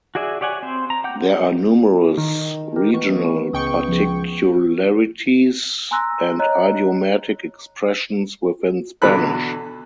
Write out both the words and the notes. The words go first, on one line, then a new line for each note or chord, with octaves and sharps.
There are numerous regional particularities and idiomatic expressions within Spanish.
F#4 G#4 D5 E5 G#5
G4 C#5 D5 F#5 G#5
C4 C5
A#5
F#5 G5 D6 G6
D#3
G4 A#4
E3 A3 B3 C#6
C#2 G5 C#6 D#6
F3 G#4
G#5 A#5 C6 E6 F#6 A#6
C#5 D#5 A#5 F#6
E2 B2 D3 A4 B5 F#6